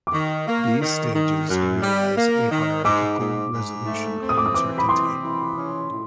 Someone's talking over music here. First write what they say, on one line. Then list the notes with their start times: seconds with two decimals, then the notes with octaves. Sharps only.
These stages realize a "hierarchical resolution of uncertainty".
0.07 D6
0.13 D#3 C#6
0.47 A#3
0.81 D#3
1.14 D#3
1.49 F#2
1.82 G3
2.16 A#3
2.51 D#3
2.84 G#2 D6
3.19 G#2
3.53 G#2
3.86 A3
4.21 C4
4.29 D#6
4.38 D6
4.46 D#6
4.54 E3 D6
4.78 B5
4.88 C4 C6
5.22 E3
5.57 C#4
5.90 A2